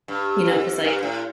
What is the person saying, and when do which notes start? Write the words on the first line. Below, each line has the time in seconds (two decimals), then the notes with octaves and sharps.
you know, 'cause like
0.08 G2
0.46 F2
0.84 G2
1.03 A2